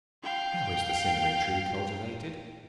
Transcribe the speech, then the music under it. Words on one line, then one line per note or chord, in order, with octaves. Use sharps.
How is the Cinnamon Tree cultivated?
F5 G5